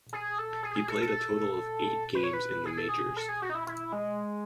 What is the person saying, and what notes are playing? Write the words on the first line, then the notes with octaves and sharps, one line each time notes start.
He played a total of eight games in the majors.
G#4
A4
G#4
G#4
A4
A4
B4
C#5
B4
G#4
A4
G#4
A4
G#4
F#4
D#4
E4
E4
G#3